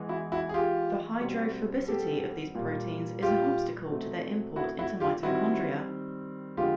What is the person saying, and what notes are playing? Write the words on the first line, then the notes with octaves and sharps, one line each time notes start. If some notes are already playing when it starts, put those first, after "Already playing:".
The hydrophobicity of these proteins is an obstacle to their import into mitochondria.
Already playing: E3 G#3 B3
E4 F#4
E4 F#4
G#4
F4 G4
B2 G3 C4
G4 A4
A#2 G3 A#3
F4 G4
B2 F#3 A3 C4
E4 F#4
E4 F#4
F4 G4
D#3 G3 C4 E4 F#4
D3 F3 G#3 B3 F4 G4